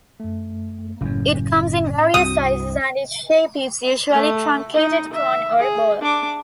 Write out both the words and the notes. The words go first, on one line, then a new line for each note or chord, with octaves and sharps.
It comes in various sizes and its shape is usually truncated cone or ball.
F#2 A3
F#1 F#2 A2 C#4
C2 G2 C4 F#4 D#6
A3
D#4
E5
G#4
D4 D6